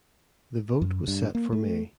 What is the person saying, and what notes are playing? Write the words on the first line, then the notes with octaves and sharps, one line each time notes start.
The vote was set for May.
F#2
G2
A#3
A3